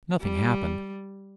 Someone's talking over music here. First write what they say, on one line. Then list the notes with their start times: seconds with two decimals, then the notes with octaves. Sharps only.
Nothing happened.
0.21 G3